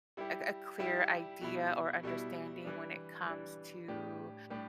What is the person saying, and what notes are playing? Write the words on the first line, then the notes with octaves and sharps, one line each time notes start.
a a clear idea or understanding when it comes to
G3 E4 G4
G3 E4 G4
B2 G3 E4
B2 G3 E4
E3 G3 D4
E3 G3 D4
A2 G3 D4 G4
A2 G3 D4 G4